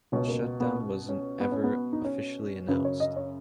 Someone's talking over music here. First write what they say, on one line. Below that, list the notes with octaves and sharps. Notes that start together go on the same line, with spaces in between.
The shutdown wasn't ever officially announced.
C#2 B2 C#4
A#3
B3
C#4
B3
C#4
B3
D#4
C#4
F#2 C#3 B4
C#5
D#5
C#5